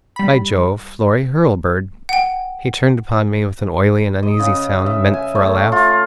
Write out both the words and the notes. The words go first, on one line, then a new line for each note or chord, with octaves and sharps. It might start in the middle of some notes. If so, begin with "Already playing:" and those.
"By Jove: Florry Hurlbird." He turned upon me with an oily and uneasy sound meant for a laugh.
G3 B5
F#5 G5
D#5
C#3
E5
G#5
A3
F4